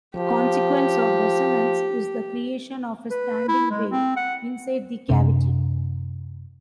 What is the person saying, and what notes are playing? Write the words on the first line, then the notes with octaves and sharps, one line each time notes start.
A consequence of resonance is the creation of a standing wave inside the cavity.
F3 G4
B4
E4
G#3
C4
F#5
F#2 C3 C4 D4